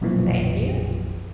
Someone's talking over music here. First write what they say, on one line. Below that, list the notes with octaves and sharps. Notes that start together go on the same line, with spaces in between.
Thank you.
B1 F#2 A#2 E3 F3